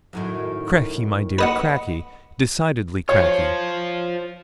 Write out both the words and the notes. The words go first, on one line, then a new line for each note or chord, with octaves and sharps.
Cracky, my dear, cracky--decidedly cracky!'
F#2 A2 D#3
B4 D#5 F#5
F4 C5 C#5